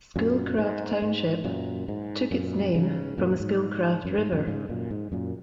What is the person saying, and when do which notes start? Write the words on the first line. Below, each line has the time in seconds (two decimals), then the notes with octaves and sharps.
Schoolcraft Township took its name from the Schoolcraft River.
0.16 F#2 A#2
0.59 G#2
1.02 G#2
1.45 F#2 A#2
1.88 G#2
2.31 F#2 A#2
2.75 G#2 C#3
3.18 F#2 A#2
3.40 G#2
4.05 F#2
4.18 G#2
4.33 F#2 A#2
4.47 G#2 C#3
4.69 F#2 A#2
4.91 G#2
5.12 F#2 A#2